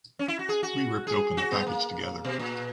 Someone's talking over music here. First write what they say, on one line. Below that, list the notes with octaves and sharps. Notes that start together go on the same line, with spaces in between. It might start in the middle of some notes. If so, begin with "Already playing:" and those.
We ripped open the package together.
C#4
E4
F#4
G#4
F#4
G#4
F#4
B3
A#3
B2
A#2